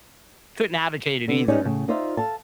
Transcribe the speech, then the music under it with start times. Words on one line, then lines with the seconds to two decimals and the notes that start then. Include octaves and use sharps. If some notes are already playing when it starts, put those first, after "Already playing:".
couldn't advocate it either.
1.28 D3 B3
1.48 C#4 D#4 G4 C#5 D5
1.65 A2 C#3
1.88 D#4 F4 C5 D5 E5 F5
2.17 A4 F5 A5